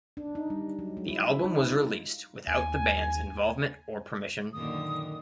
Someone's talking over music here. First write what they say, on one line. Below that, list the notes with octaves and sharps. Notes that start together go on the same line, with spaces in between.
The album was released without the band's involvement or permission.
D4
D#4
G3
F#3
G#3
E4
D#4
F4
D#2 G#5
F#2 A#2 D3 D#3 D#6